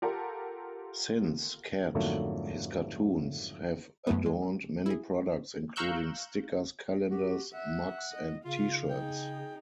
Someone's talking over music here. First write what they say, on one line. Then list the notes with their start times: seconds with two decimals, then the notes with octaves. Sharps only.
Since "Cat", his cartoons have adorned many products including stickers, calendars, mugs, and t-shirts.
0.02 F4 G4 A4 A#4 F#5
1.95 F2 G#2 D3 F#3 A3 A#3
4.07 F#2 A3 B3
4.26 G#3
4.86 E4 G#4
5.76 F5 A#5 C#6 E6 F#6 G6
7.11 F#4 G4
7.53 E5 F#5 F#6
8.11 D#5
8.45 C#3 F4 F5
8.90 D#4 G#4 G5